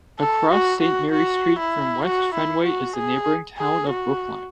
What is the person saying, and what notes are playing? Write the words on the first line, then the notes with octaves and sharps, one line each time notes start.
Across Saint Mary Street from West Fenway is the neighboring town of Brookline.
A4
F#4
F#4
F#4
E4
F#4
E4
F#4
G#4
G#4
F#4